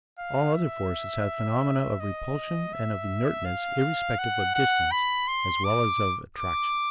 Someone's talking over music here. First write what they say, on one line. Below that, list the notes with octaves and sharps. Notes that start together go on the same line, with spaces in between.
All other forces have phenomena of repulsion and of inertness irrespective of distance, as well as of attraction.
F5
E5
D#5
E5
F5
F#5
F#5
B5
C6
D6
D6